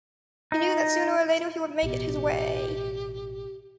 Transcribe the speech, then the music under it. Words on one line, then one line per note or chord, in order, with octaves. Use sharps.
He knew that sooner or later he would make it his way.
D#4
A1 B2 G4